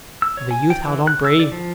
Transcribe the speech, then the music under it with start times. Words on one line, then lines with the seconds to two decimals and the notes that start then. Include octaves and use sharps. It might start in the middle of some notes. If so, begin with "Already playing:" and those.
The youth held on bravely.
0.22 E6
0.37 C#5
0.51 G#5
0.70 G5
0.87 E3
1.07 F#6
1.25 E6
1.39 D5
1.52 F3